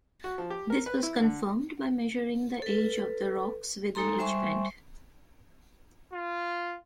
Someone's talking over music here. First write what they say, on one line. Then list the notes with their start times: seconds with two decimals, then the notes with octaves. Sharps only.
This was confirmed by measuring the ages of the rocks within each band.
0.24 F#4
0.38 F3
0.50 G4
0.70 A#4
0.86 B4
1.03 E4
1.22 D3
2.62 A4 B4
3.95 G#3 D#4 A4 A#5 C6
4.19 G3 C5 E5 G#5 C6 C#6
6.13 F4